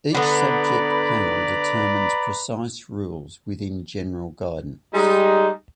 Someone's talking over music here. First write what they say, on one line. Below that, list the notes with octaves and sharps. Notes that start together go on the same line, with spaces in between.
Each subject panel determines precise rules within general guidance.
D3 B3 B4 D5 A#5 B5
G3 G#3 D#4